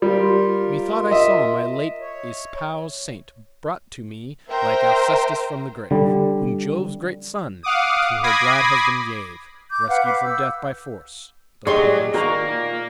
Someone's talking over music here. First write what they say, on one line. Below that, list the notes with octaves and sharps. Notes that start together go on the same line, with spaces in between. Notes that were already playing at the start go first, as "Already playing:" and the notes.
"Methought I saw my late espoused saint Brought to me like Alcestis from the grave, Whom Jove's great son to her glad husband gave, Rescued from death by force, though pale and faint."
G3 F4 A#4
D#5 E5
C#5
A#4 C5 E5 G5 A#5
D3 G3
F5 F#5 D6 D#6
B5 D6 D#6 G#6 A#6 C7
D6 G6
B4 F5 F#5
B4 D6
E6 G6
F#3 G4 G#4 D5 D#5 C6 C#6
D#3 A#3 F#4 A#4 A#5
A#2